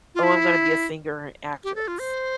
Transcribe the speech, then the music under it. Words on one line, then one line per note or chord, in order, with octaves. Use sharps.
"Oh, I'm gonna be a singer and an actress,"
F4
E4
G4
A4
F4
C5